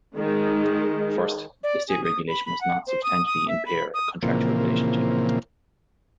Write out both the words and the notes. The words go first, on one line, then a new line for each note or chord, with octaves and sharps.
First, the state regulation must not substantially impair a contractual relationship.
D#3 G#3
D5
G#4
D#6
B5
B5
F#5
C5
D#6
D#6
E5
B5
D#6
A#2 C#3 E3 F3 A#3 C4